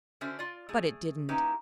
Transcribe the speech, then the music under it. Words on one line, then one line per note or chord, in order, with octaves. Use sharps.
But it didn't.
D3 C#4 D4 F#4 C5 E5
F4 D5
A3 G#4
A#3 C#4 D#4 E4 G4 B4